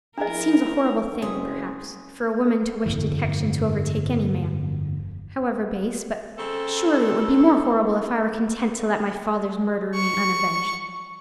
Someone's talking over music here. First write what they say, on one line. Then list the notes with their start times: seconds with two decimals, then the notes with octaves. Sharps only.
It seems a horrible thing, perhaps, for a woman to wish detection to overtake any man, however base; but surely it would be more horrible if I were content to let my father's murder remain unavenged.
0.18 F3 D4 E4 G#4 A#4 D#5 G#5 A#5
1.22 F#1 G#3 C4 C#4 G#4 B4
2.86 G1 F2 A2 E3
6.39 C#3 C4 A4
9.95 C#6